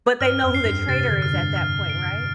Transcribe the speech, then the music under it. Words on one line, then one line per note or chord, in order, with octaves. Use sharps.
But they know who the traitor is at that point, right?
G2 F6
F2
C7
G2
C3 A6
D3
F6
G2
F6
D7